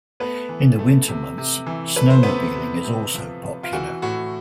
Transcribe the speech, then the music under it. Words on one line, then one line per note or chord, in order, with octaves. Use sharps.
In the winter months, snowmobiling is also popular.
A3 B3 B4
E3
A3
C3
C3
E3
A3 B4
C5
C3 B3 B4
C3
C3
F3
C3
F4
E3 F#4
A2 F#4